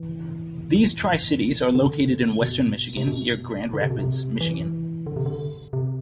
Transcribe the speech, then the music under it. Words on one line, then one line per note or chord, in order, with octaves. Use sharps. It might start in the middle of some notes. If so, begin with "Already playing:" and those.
These tri-cities are located in Western Michigan, near Grand Rapids, Michigan.
Already playing: E3
D3
B2
C3
B2
D3
C3
B2
C3
E3
D3
C3
D3
C3